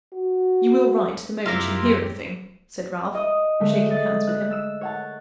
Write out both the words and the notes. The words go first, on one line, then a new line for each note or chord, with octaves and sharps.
"You will write the moment you hear anything?" said Ralph, shaking hands with him.
F#4
F#2 C3 E4 F4 G4 A#4
D#5
D3 G#3 A3
D#5 A6
F#6
E6 E7
C#5 F#5 A5